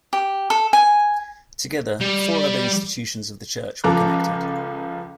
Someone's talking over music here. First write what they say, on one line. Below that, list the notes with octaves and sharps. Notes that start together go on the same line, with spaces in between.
Together, four other institutions of the Church were connected.
G4
A4
G#5
G3
C#2 F3 A4 A#5 D6 F#6